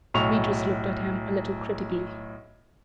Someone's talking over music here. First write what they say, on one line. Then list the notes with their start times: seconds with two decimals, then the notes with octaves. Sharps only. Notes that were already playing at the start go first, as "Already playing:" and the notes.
Beatrice looked at him a little critically.
0.14 B1 A2 C#6 F7